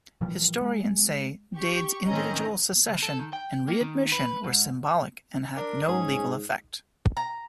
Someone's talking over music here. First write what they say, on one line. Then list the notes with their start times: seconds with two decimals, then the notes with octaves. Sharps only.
Historians say Dade's individual secession and readmission were symbolic and had no legal effect.
0.21 A#2 E3 F3 G3
0.61 G#3
1.55 G4 C#6
2.07 A2 D#3 C4 C#4 D#5 A#5
2.87 C#2
3.03 A4
3.19 D#3
3.33 G5
3.68 A#3
3.81 D#3
4.12 B4
4.44 G#2
5.57 D4 A#4
5.88 G#2 C#4 G#4
7.17 A#5